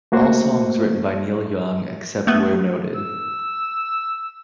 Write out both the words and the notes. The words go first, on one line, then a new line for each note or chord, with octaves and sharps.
All songs written by Neil Young except where noted.
A3 A#3 F#4 C5
A3 B3
E6